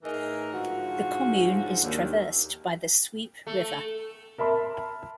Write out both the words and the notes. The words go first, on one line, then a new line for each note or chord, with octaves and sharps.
The commune is traversed by the Suippe river.
A2 E3 D#4 G#4 A#4 D#5
G#2 D3 F3 F4 F#4
D#2 D4
A3
A#4 E5 A5 B5 C6